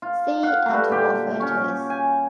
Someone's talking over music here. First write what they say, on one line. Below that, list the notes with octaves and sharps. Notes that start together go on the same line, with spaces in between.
See and for photos.
F4
F5 F#5
G3 A3 F#4 B4
A#2 D3 G4 D6
C#4 C#6
G#5